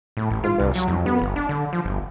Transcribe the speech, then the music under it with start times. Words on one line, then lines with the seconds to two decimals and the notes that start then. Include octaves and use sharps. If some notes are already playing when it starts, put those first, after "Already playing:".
a nasty meal.
0.17 A2
0.31 A1
0.44 F4
0.60 C2
0.76 F#3
0.88 F2
1.06 B3
1.22 G1
1.36 D4
1.49 D3
1.73 F3
1.85 G1